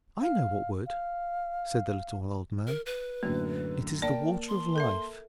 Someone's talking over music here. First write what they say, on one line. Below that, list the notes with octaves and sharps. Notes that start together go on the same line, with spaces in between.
'I know what would,' said the little old man; 'it is the Water of Life.
F5
F5
A#4
B4
F#2 A2 D3 A#3
A#3 D5 G5 A5
C6
A4 A#4 E5